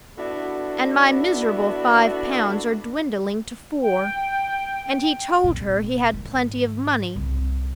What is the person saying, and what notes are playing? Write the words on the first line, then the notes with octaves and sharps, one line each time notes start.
And my miserable five pounds are dwindling to four! And he told her he had plenty of money!
B3 D4 E4 F#4 A4
G5
F1 A#2
G#2 D#3
C2